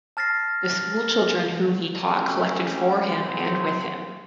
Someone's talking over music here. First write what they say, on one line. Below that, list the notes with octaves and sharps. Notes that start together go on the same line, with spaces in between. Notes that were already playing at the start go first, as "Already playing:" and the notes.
The school children whom he taught collected for him and with him.
A5 F6 A6 A#6 C7
F#3 G3 A3 C4 C#4 G4
G#1 C3 F#3 E4 C5